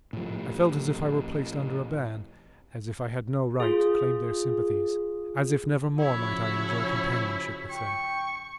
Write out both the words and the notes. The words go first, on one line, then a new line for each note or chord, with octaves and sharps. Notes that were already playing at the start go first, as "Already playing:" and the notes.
I felt as if I were placed under a ban--as if I had no right to claim their sympathies--as if never more might I enjoy companionship with them.
A2 F3
F4 G#4
C#3 F3 E4 F#4 C#5 B6
G5 C#6